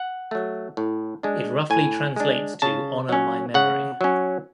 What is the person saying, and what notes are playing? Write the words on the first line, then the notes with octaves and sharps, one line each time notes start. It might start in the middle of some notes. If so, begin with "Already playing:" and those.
It roughly translates to honor my memory.
Already playing: F#5
F#3 A3
A2
G#3 D4
A2 G#5
G#3 D4
C#3 A5
F#3 C#4
C#3 F#5
F#3 C#4